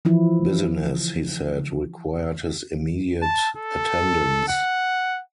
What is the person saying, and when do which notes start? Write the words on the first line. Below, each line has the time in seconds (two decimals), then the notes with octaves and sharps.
Business, he said, required his immediate attendance.
0.05 E3 F3 E4
3.22 A5
3.57 A4
4.48 F#5